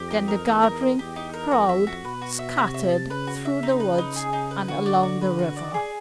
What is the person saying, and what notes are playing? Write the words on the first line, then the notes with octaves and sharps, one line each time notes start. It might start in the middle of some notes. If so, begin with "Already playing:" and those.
Then the gathering crowd scattered through the woods and along the river.
Already playing: F2 G4
D#4
A#4
E2 D#4
A#4
D#5
E2 G4
D#4
A#4
F2 F#4
E5
F#4
B2 B4
F#4
E5
C3 F#4
E5
A5
C#3 B4
F#4
E5
D#4
B4
D#4
G#4
D#4
B4
D3 F#4
D5
F#4
B4
F#4
D5
G#4